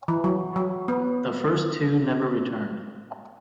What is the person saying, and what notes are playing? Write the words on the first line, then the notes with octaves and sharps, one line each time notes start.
The first two never returned.
E3
F#3
F#3
B3